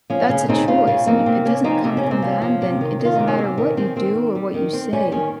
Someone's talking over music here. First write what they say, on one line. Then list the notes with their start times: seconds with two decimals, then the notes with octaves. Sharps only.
That's a choice, and if it doesn't come from them, then it doesn't matter what you do or what you say.
0.10 F3 C#4
0.29 C#3 C#4
0.49 C#3 C4 D#4
0.68 C#3 C#4 F4
0.87 C#3 C#4 F4
1.06 A#3 C4 D#4
1.26 C3 C4
1.45 C3 C#4
1.64 F3 C4 D#4
1.84 C3 D#4
1.97 C#4
2.03 C3
2.11 C4
2.22 F3 C#4
2.41 F3
2.62 C3
2.81 D#3
2.99 D#3
3.05 F4
3.15 C3 D#4
3.27 C#4
3.38 C3 C4
3.57 D#3 C#4
3.77 D#3 C4
3.96 D#3 C4
4.15 C4
4.35 G3
4.54 D#3
4.73 C4
4.93 G3 C#4
5.12 D#3 C#4